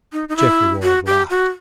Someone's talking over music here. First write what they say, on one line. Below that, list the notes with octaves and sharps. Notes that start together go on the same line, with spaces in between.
Geoffrey Ward laughed.
D#4
D#4
E4
F#4
G4
F#4